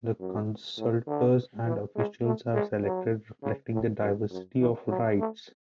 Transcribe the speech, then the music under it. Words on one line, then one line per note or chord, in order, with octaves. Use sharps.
The consultors and officials are selected reflecting the diversity of rites.
F#2
A2
D3
E3
G#3
A3
G#3
F#3
C#3
A2
F#2
F#2
E3
F#3
A3